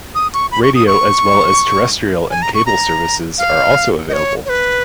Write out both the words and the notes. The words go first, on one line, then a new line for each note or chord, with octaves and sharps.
Radio, as well as, terrestrial and cable television services are also available.
D#6
C#6
B5
C#6
D#6
C#6
G#5
A#5
C#6
A#5
F5
D#5
C#5
C#5
B4